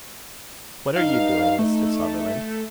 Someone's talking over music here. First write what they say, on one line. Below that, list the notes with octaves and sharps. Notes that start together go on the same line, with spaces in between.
"What are you doing, Mr. Sutherland?"
G2 D#4 F5
A3 D#4